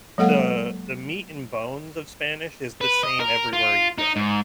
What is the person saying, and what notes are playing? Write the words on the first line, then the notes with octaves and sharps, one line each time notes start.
the the meat and bones of Spanish is the same everywhere you go.
F#3 G#3 A#3 A4 F5 F#5
B4
D#5
A#4
F4
D#4
G#2